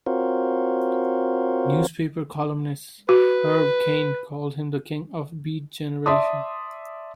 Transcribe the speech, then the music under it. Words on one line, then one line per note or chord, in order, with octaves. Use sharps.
Newspaper columnist Herb Caen called him the king of the Beat Generation.
C4 F4 F#4 A#4 C5 C#5
F#4 B4
D5 E5 A5 C6 D6 D#6